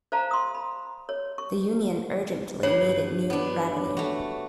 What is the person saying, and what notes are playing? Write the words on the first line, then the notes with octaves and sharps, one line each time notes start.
The Union urgently needed new revenue.
C5 D5 F5 A5 A#5
C6 D#6
B5
C#5
C#6
G2 C#5
B3 D4
A3 F#4